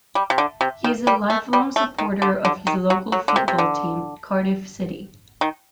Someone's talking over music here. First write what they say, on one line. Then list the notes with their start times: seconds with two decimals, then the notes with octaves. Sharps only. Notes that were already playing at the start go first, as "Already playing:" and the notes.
He is a lifelong supporter of his local football team Cardiff City.
0.15 G3
0.30 C3
0.38 D3
0.61 C3
0.84 D#3
1.07 G3
1.30 A3
1.53 G3
1.76 A3
1.98 D#3
2.22 D3
2.45 D3
2.67 D#3
2.90 F#3
3.12 F#3
3.28 D3
3.36 C3
3.48 C3
3.58 D3
5.41 D#3